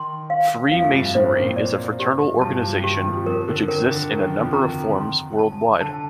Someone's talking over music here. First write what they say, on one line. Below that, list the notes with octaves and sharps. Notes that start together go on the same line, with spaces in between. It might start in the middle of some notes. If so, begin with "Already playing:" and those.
Freemasonry is a fraternal organisation which exists in a number of forms worldwide.
Already playing: D#3 C6
F5
F2 F3 F5
A3
G2 G3
A2 A3 C5
C4
A#2 A#3
D5
G4
F3
G2 G3 A5
G2 G3
D#3 G4
F2 F3
G3
F2 F3 A#4
D3
D#3 A#4
D3
D#3 A#4
F2 F3
A#5
D3
D#3
C6
A5
D3 A5